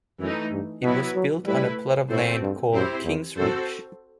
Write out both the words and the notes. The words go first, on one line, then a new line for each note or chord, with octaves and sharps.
It was built on a plot of land called King's Reach.
F#2 E3 A3 D#4
G2
B2 F#3 B3 E4 B4
F#3
G3 A3 E4 B4
A2 A3 C4 F#4 A4 C5
G2
F#2 C4 E4 G4 C5
E2
F#2 C4 F#4 A4 C5